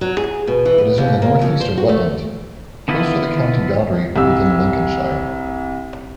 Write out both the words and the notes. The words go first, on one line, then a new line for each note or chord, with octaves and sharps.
It is in the northeast of Rutland, close to the county boundary with Lincolnshire.
F#3
G#4
B2
E3
B3
D#2
A#3
F2
C5
F#4
A3
D3 B3 E4 F4 B4
C2 E6